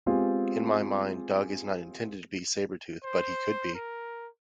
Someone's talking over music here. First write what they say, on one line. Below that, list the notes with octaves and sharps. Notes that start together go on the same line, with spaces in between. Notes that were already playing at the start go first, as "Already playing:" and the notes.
In my mind, Dog is not intended to be Sabretooth, but he could be.
G#3 B3 C4 F4 G4 G#4
C5
A#4